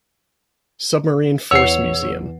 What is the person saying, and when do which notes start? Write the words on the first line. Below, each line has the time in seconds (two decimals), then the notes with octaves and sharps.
Submarine Force Museum.
1.51 E2 B4 C#5 F#5 E6 C7